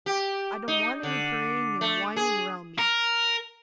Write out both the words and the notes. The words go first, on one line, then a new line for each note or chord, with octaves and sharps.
I don't want any praying and whining round me.
G4
D#4
D3
A3
G#4
A#4